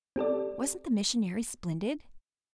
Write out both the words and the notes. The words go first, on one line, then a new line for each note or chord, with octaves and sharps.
Wasn't the missionary splendid?
C4 G4 A4 D5